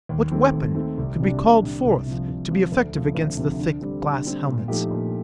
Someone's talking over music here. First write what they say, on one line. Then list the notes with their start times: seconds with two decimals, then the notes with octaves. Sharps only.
What weapon could be called forth to be effective against the thick glass helmets?
0.09 D#2
0.31 D#3 A3 C4
0.54 D#2
0.75 D#3 A3 C4
0.98 C2
1.18 C3 G3 D4
1.40 C2
1.63 C3 G3 D4
1.85 C2
2.06 C3 F3
2.28 C2
2.50 C3 F3
2.72 D2
2.93 C3 F3 A3
3.15 D2
3.37 C3 F3 A3
3.59 D3
3.81 G3 C4
4.03 D3
4.24 G3 C4
4.46 A#2
4.68 F3 A3 D#4 G4
4.91 A#2